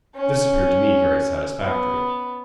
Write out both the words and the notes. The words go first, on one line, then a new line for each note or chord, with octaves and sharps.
This appeared to me very satisfactory.
C#4
B3